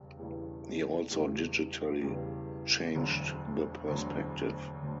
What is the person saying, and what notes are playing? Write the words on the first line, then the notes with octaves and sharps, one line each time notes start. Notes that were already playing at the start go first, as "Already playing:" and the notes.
He also digitally changed the perspective.
Already playing: E1 E2 C#3 G3
E1 E2 C#3 E3 G3
E1 E2 C#3 E3 G3
E1 E2 C#3 E3 G3
E1 D2 D3 F#3
E1 D2 D3 F#3
D3 F#3